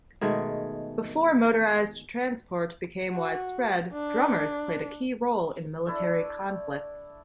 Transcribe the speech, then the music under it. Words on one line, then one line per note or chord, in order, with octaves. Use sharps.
Before motorized transport became widespread, drummers played a key role in military conflicts.
B2 D#3 G#3 A3
F#4
D4
A3 D4 E4 D5